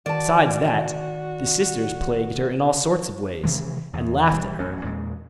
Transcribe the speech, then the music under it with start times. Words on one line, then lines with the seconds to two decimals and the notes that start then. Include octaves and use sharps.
Besides that, the sisters plagued her in all sorts of ways, and laughed at her.
0.06 D#3 F#4 B4 D5 A5
3.43 C3 D#3 E3 G#3
3.93 E2
4.34 A#1 E3 G3
4.58 A1 F#3 C#4
4.84 E2 A#2 G#3